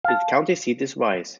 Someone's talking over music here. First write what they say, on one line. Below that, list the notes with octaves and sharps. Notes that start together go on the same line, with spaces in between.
Its county seat is Wise.
F5 A5